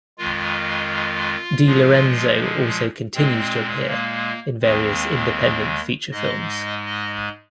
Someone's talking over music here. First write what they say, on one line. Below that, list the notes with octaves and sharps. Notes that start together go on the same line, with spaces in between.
DeLorenzo also continues to appear in various independent feature films.
F2 D#3 G#3 F4
A#2 F3 G#3
A#2 G#3 C4
A#3
D#2 D#3 G#3 C4
G#2 G#3 D#5
D#5
D#5